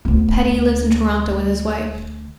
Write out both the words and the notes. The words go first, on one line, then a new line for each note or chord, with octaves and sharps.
Peddie lives in Toronto with his wife.
D2 B3